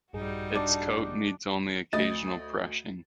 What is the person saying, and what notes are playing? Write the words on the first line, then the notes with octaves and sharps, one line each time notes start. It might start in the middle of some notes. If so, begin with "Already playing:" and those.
Its coat needs only occasional brushing.
A#1 G2 G3 D#4 F#4 G#4
D4
D2 D#5 D#6 A6